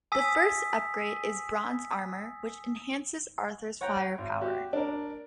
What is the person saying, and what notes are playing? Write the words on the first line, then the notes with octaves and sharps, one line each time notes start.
The first upgrade is bronze armor which enhances Arthur's firepower.
G#5 D#6 E6 B6
C#5 F#5 G5 A#5
G#1
F#4 G4
D4 A#4